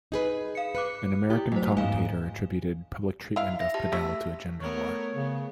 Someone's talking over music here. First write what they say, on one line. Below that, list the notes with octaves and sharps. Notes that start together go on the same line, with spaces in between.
An American commentator attributed public treatment of Padel to a gender war.
D#4 G#4 B4
F5 C#7
B4 D6 F#6 C#7
E4 G4
F#3 A3 C5
E2 G#2 D#4 F5 G#5
E4 F5
E5 A#6
F3 G4 A5
A3 E6 B6
A3 B3 A#4 C#5
C#3 B3